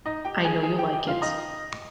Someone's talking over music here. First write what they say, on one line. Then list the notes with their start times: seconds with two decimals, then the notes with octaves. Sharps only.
I know you like it.
0.06 D#4 D#5
0.25 G4 G5
0.44 G#4 G#5
0.63 G#4 G#5
0.78 G4 G5
0.92 G4 G5
1.07 F4 F5
1.21 D#4 D#5